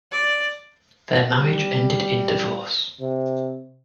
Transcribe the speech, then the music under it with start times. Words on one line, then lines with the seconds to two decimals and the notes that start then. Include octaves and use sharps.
Their marriage ended in divorce.
0.11 D5
1.38 G3
3.00 C3